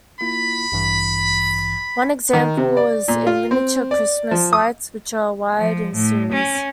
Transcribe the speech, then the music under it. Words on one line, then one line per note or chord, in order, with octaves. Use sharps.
One example is in miniature Christmas lights which are wired in series.
A#3 E4 F4 B5
A1 G2 E3
D#3
C3
D5
A#2
F4
C4
D5
F3
D#6
F3
A2
C#4